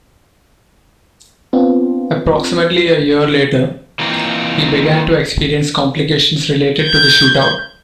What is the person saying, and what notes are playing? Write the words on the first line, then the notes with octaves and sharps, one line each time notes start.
Approximately a year later, he began to experience complications related to the shootout.
B3 C4 D4 F4
E3 A#3 C4 D#4 F4
G6 G#6